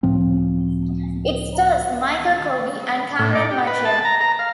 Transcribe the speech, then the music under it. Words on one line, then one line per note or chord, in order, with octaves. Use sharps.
It stars Michael Coby and Cameron Mitchell.
C#2 A2 F3 C4
A2
D5
G4
B4
A5
A#5
A#5
F5